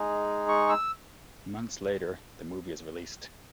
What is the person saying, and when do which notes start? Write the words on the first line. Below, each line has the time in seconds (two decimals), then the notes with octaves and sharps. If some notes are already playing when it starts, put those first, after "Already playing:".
Months later, the movie is released.
Already playing: G#3 D#4 G#4
0.49 C#6
0.69 E6